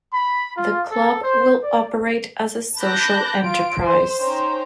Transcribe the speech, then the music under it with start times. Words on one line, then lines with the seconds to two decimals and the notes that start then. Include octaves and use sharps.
The club will operate as a Social enterprise.
0.14 B5
0.57 F4
0.92 A4
1.24 C5
1.64 D5
2.79 A5 B5 D6 F#6 G6 A#6
3.43 F4 D7
3.81 C5
4.18 C#4 D#4 C5 C#5 G5